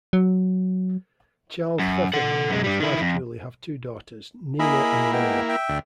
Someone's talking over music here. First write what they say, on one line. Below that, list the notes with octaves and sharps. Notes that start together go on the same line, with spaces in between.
Charles Fefferman and his wife Julie have two daughters, Nina and Lainie.
F#3
F#2
A4 F#5
F#2 G#3
G2 G3
D#3 E4
F2
A#3 E4 G#4 D#5 B5
G#3 B3 G5
E5 G5
D2